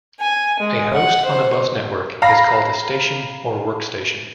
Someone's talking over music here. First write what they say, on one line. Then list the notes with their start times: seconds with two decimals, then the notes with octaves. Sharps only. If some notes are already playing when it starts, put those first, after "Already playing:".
A host on a bus network is called a "Station" or "workstation".
0.20 G#5
0.60 G#3
0.93 F#5
1.25 C5
2.22 F5 A#5 B5 A#6